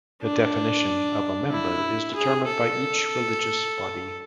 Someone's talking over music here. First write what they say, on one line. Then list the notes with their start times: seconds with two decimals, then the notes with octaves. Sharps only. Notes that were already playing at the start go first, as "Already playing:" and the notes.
The definition of a member is determined by each religious body.
0.22 D4
1.51 E4
2.15 G#4
2.47 A4